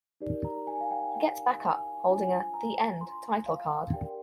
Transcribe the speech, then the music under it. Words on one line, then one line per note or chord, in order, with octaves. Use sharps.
He gets back up, holding a 'The End' title card.
D#4 G4 A#4 D5
A#5
G#5
F5
G5
G5
G#5
D4 F4 C5 G#5
A#5
C6
F5
D4 G4 A#4 D5 G5